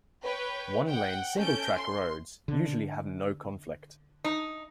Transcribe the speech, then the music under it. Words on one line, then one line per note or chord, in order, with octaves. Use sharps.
One-lane single-track roads usually have no conflict.
B4 C#5 G5
F#5 G5
C#4 A4 G6 D7
C6
D3
D#4